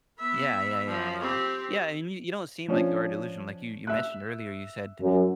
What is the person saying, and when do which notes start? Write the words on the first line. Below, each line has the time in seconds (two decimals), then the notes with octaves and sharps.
Yeah. Yeah, yeah, yeah. Yeah, and you you don't seem like you are delusional, like, you you mentioned earlier, you said,
0.19 B3 E5
0.86 F3
1.20 C4 G4
2.68 F3 C#4 D4
3.87 E5 F#6
5.01 F#2